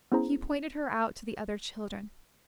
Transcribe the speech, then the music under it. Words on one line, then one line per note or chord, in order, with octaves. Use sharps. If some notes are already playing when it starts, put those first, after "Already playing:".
He pointed her out to the other children.
B3 C#4 E4 G#4 C5 A#5